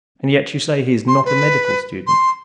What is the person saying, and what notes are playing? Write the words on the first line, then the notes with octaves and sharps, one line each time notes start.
"And yet you say he is not a medical student?"
C6
B4
C6